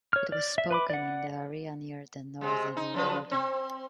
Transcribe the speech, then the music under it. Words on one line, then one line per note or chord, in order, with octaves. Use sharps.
It was spoken in the area near the northern border.
C#5 F6
D5
E5
B4 B5 D6
D5 F#5
C3 G#3
D#4
F#2 F3 B4
C4